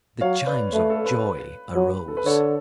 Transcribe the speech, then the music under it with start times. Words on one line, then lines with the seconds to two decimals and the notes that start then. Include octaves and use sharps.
The chimes of joy arose.
0.21 F#3 C#5 F5
0.46 B4 D5
0.73 A3 B4
0.90 A4
1.06 B4
1.75 F#3
2.08 A4
2.17 B4
2.25 D3 A4 C#5